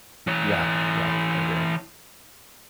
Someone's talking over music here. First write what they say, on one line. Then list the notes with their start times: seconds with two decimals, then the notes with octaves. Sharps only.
Yeah, Yeah. I do.
0.27 E3 C#5